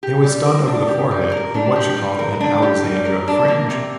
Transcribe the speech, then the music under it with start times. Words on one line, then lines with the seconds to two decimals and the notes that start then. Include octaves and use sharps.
It was done over the forehead in what she called an Alexandra fringe.
0.03 G4
0.24 G3
0.46 A#4
0.67 D4
0.88 G4
1.11 G3
1.32 A#4
1.54 D4
1.76 G4
1.97 G3
2.19 A#4
2.40 D4
2.62 G4
2.84 G3
3.05 A#4
3.28 D4
3.48 A#3
3.70 C3